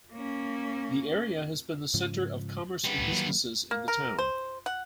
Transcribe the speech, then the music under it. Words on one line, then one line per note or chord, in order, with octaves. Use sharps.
The area has been the center of commerce and businesses in the town.
A#3 C#4
G#2 C#3 F3
G3 B3
C#2 A2
D#3 F#3 A#3
A#3
A#4
C5
F#5